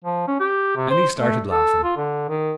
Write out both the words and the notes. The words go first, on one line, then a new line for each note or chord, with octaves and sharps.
And he started laughing.
F3
C#4
G4
C3
C5
A3
A4
F4
D3
D#3